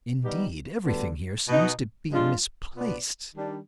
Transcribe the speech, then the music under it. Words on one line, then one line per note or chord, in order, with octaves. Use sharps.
Indeed, everything here seems to be misplaced.
D#3 G3 B3 D#4 G4
D2 D3 G3 B3 D4
B2 B3 D#4
G2 F3 G#3 D4 F4
B2 B3 F4 B4 D5
D#3 G3 D4